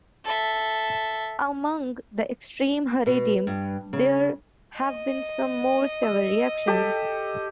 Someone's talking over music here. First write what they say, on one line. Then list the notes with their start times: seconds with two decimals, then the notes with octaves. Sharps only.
Among the extreme Haredim, there have been some more severe reactions.
0.24 A4 E5
3.06 B2
3.47 G2
3.93 C#3
4.79 D#5
6.03 E6
6.67 G4 A4